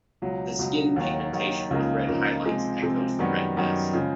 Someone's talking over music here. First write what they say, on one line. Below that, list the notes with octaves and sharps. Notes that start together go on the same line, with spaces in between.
The skin pigmentation, with red highlights, echoes the red vest.
C#2 B2 F#3
C#2 B2 F#3
D#2 D#3 F#3
D#2 D#3 F#3
C#2 C#3 F3 A#3 D#4
C#2 C#3 F3 A#3 D#4
C3 F3 G#3 C4
C3 F3 G#3 C4
F#2 D#3 G3 B3
F#2 D#3 G3 B3
C#3 F3 G#3